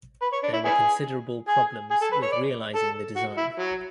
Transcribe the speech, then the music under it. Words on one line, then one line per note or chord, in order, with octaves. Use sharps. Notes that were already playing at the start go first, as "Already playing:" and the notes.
There were considerable problems with realising the design.
B4
C#5
D4
E4
B3 E4 G#4
G#4
G#4
A4
B4
C#5
D5
A4
F#4
E4
F#3